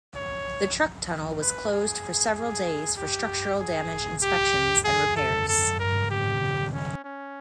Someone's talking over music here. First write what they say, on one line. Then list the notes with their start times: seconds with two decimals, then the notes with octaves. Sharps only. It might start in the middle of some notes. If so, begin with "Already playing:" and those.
The truck tunnel was closed for several days for structural damage inspections and repairs.
0.16 C#5
1.41 B4
1.72 G#4
2.36 G#4
2.98 G4
3.61 G#4
4.23 G4
4.85 G#4
5.16 A4
5.48 A4
5.80 A#4
6.11 G4
6.74 C#4
7.04 C#4